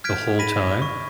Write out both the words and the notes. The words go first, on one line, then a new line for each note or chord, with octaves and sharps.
The whole time?
F6 G6 G#6 B6 D7
B5 A#6 B6 D#7
C#6